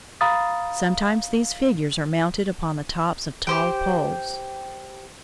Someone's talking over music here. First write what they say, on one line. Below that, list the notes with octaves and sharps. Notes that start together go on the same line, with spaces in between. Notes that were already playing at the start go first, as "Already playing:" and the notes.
Sometimes these figures are mounted upon the tops of tall poles.
F5 A#5 B5 D#6 A6
G4 C5 G5